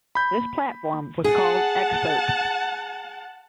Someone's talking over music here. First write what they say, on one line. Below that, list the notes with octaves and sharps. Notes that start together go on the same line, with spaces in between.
This platform was called Excerpt.
B5 G6
G#4 F#5 A5